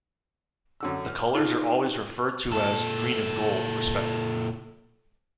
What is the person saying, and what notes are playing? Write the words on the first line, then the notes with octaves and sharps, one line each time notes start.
The colours are always referred to as "green and gold", respectively.
F#2 D3 E6
F6
D#4 F4 G#4
A#2 A4